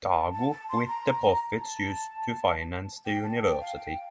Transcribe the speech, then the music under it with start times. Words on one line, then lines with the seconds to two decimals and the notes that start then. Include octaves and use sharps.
Dago with the profits used to finance the university.
0.15 A5
0.32 A5
0.51 A5
0.69 C6
0.88 A#5
1.60 A5
3.06 G5
3.23 A5
3.42 G5
3.60 F5
3.78 G5